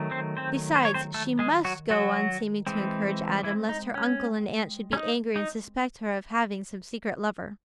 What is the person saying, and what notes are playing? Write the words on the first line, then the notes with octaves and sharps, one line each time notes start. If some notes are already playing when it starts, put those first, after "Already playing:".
Besides, she MUST go on seeming to encourage Adam, lest her uncle and aunt should be angry and suspect her of having some secret lover.
Already playing: D#3 F#3 A3
C4 C5
C4 C5
C5
C#5
C4 C5
A3 A4
G#3 G#4
F#3 F#4
F#3 F#4
E3 G#3 C4
E3 E4
D#4
C#4
C#4
D#4
D#4